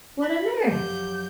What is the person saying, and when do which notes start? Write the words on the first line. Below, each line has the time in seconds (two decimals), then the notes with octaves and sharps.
"What on earth?"
0.22 B5
0.70 F#2 F3 F#3 G4 G6